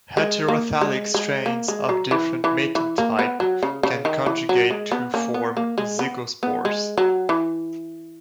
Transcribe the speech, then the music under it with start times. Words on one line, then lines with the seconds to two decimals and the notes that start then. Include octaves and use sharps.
Heterothallic strains of different mating type can conjugate to form zygospores.
0.17 G#3
0.48 A#3
0.81 G#3
1.14 G#3
1.46 A#3
1.68 G#3
1.89 F#3
2.11 E3
2.44 E3
2.75 E3
2.98 A#3
3.19 B3
3.40 F#3
3.63 C#3
3.83 C#3
4.05 D#3
4.26 E3
4.49 F#3
4.71 G#3
4.92 B3
5.14 A#3 C#4
5.34 B3
5.57 A#3
5.78 G#3
5.99 B3
6.43 B3
6.65 G#3
6.98 F#3
7.29 E3